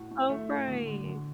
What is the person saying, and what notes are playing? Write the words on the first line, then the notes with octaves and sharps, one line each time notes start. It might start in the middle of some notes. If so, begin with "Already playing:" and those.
Oh, right.
Already playing: A2 F#4
A2
A3
A2
D2
D3
D2